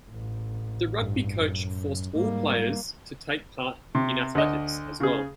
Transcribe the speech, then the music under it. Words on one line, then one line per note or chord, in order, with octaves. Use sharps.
The rugby coach forced all players to take part in athletics as well.
A1
G2
F#2
G#2 G3 A#3
C3
D2 D#5
C#3 G#4